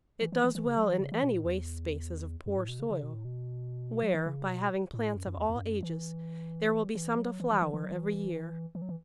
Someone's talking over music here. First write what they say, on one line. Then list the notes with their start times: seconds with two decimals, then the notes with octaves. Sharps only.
It does well in any waste spaces of poor soil, where, by having plants of all ages, there will be some to flower every year.
0.21 E3
0.32 E3
0.44 E3
0.55 E3
0.67 C#3
0.77 F#3
0.89 E3
1.00 C#3
1.12 E3
1.23 B2
1.34 A2
1.45 E2
2.46 F#2
2.57 A2
2.69 B2
2.80 C#3
2.91 C#3
3.03 B2
3.14 A2
3.25 B2
4.03 F#3
4.14 E3
4.26 C#3
4.48 B2
4.94 A2
5.15 F#2
5.27 F#2
5.38 E2
5.49 E2
5.56 A2
5.61 F#2
5.83 E3
6.95 E3
7.18 F#3
7.40 E3
7.51 E3
7.62 E3
7.73 E3
7.83 F#3
7.91 E3
8.75 E3
8.82 F#3
8.89 E3